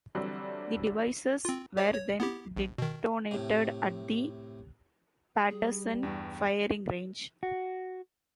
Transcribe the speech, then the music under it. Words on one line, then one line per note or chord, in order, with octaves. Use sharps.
The devices were then detonated at the Paterson firing range.
D3 E3 F#3 G3 C4 D4
C4 F4
G4 C#5
C#5
B3 E4 G4
A#1
B2 D#3
A2 C3
G3 G#4
E2 G2 G5
F#4